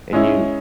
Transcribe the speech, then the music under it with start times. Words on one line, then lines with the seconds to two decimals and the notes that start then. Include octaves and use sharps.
and you
0.13 G#3 C#4 E4